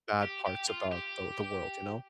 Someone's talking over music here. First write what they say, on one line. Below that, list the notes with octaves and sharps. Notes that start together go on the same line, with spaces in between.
bad parts about the the world, you know?
G4
G4
F4
G4